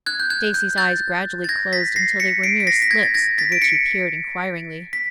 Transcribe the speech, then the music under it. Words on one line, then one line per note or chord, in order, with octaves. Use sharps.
Stacy's eyes gradually closed until they were mere slits, through which he peered inquiringly.
F#6 G#6
G6
F#6 G#6
G6
G6 A6
A6
G#6 A#6
A6 B6
A#6 C7
B6 C#7
C7 D7
B6
A#6 C7
B6
G#6 A#6
A6
G#6 A#6
A6 B6
D7
B6 C#7
B6